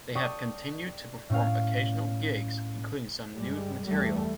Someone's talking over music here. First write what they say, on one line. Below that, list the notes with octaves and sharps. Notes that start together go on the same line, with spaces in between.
They have continued to perform occasional gigs, including some new material.
A4 D5 G5 C#6 D#6
A2 C#4 F5
G2 G3 G#3
E2 G3 A3